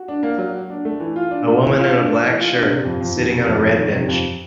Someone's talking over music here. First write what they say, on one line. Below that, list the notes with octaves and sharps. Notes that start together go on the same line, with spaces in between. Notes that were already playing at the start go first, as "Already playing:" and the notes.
A woman in a black shirt sitting on a red bench.
Already playing: F#4
D4
A#3
F#3
F#4
D4
A3
E3
F4
D4
A3
E3
F4
D4
A3
E3
F4
D4
C3
F2
F2
D#3
C3
F2
F2
D#3
C3
F2